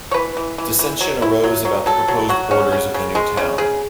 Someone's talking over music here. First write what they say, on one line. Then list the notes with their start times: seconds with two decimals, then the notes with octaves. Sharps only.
Dissension arose about the proposed borders of the new town.
0.11 C#5
0.14 E3 B4
0.37 E3
0.58 E3
0.79 E3
1.01 F#3
1.22 E4
1.43 F#3
1.65 F#3
1.86 F#3 A4
2.08 F#3
2.29 F#3 F#4
2.51 C#4
2.72 C#3
2.94 C#3
3.15 G#3
3.37 C#3
3.58 C#3 G#4